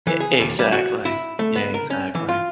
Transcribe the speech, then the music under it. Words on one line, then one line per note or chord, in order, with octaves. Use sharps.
Ex exactly. Yeah, exactly.
E3
G#4
D#2
G3
F#4
E4
A3
B3
A#4
C#4
E3
F4